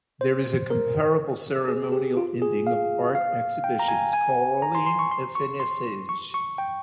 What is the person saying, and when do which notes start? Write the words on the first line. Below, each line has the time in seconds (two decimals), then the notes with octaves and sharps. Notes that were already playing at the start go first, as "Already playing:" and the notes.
There is a comparable ceremonial ending of art exhibitions, called a "finissage".
0.21 C5
0.70 A#4
1.68 G#4
1.92 G4
2.17 F4
2.42 G#4
2.67 F5
3.15 F5
3.64 G5
3.79 A#5
3.88 G#5
4.13 G#5
4.62 A#5
4.75 C6
4.86 C6
4.99 C#6
5.11 C6
5.35 C#6
5.60 C6
6.09 C#6
6.34 C#6
6.58 G5